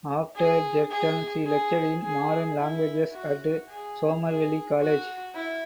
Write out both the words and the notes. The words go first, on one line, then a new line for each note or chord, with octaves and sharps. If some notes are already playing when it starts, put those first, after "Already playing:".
After Girton she lectured in modern languages at Somerville College.
G#4
G#4
G#4
G#4
E4
F#4
G#4
G#4
F#4
E4